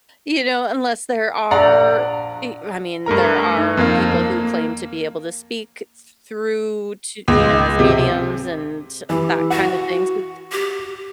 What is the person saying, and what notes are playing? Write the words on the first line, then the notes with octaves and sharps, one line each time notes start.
you know, unless there are i I mean, there are people who claim to be able to speak thr through to you know as mediums and t that kind of things, th th
A#1 D5 F#5 A#5
G2 A3 A#4 A#5
D#4
F2 A#3 F5
A#3
C#2
C3
E3 G4
F#4 F#5
G4